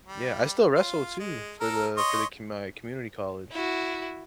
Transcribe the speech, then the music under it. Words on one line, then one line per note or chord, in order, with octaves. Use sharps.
yeah, I still wrestle, too, for the for the commu my community college.
G3
F4
G#3
A4 A#4
C#5 D#5 C6
E4 F#4